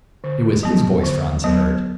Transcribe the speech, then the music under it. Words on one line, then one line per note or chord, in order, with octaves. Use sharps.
It was his voice Franz had heard.
D3
F#3 B3
D3
F#3 B3